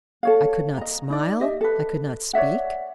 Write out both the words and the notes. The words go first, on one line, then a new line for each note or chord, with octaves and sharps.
I could not smile, I could not speak.
A4 C#5 F5
D#5 A#5
D#4 D5
G4 D#5 E5
A4 B4
C#5 D5 E5 F#5